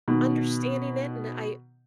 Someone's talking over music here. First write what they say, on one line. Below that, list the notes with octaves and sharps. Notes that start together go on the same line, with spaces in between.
Understanding it and I
B2 D#3